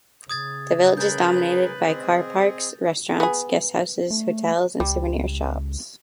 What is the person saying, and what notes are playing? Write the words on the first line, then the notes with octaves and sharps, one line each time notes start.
The village is dominated by car parks, restaurants, guesthouses, hotels and souvenir shops.
C#3 D#6 G#6 A6
G#4 A#4 B4 G6 A6
C4 G#4 D#5
B3 G#4
A3
C#2 G3